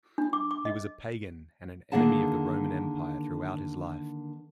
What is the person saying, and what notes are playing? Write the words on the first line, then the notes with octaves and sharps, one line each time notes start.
He was a pagan and an enemy of the Roman Empire throughout his life.
D4
D6
D6
D#5
D3 D#3 A#3 G#4 F#5 A5